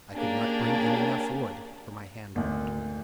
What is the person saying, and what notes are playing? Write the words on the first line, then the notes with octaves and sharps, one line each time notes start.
I could not bring in enough wood, for my hand hurt.
A#3 C#4 D4 G4 G#4
G#1 D2